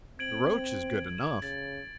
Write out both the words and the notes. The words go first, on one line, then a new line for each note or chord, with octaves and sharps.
The roach is good enough!
C4 G#6 D7 F#7
C#3 A6